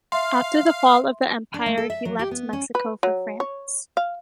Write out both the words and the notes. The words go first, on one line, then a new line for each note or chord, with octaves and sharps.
After the fall of the Empire he left Mexico for France.
E5 F5 C6
D4
A3
A4
E5
F#3
G4
B3
C#4
B4
F#3
C#5
F5